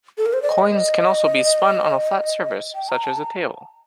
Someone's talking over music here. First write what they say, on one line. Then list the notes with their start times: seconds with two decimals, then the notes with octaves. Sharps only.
Coins can also be spun on a flat surface such as a table.
0.18 A4
0.26 A#4
0.33 C5
0.42 D5
0.50 D#5
2.75 G5
2.89 A#5
3.04 A5
3.18 A#5